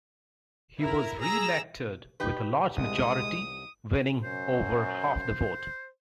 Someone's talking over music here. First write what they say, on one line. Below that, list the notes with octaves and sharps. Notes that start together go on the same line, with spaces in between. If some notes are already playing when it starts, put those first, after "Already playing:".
He was re-elected with a large majority, winning over half the vote.
E4 A#4
G#4 A#5 E6 A#6
D#4 G4 B4
C2 G#3 D#6
F#2 C5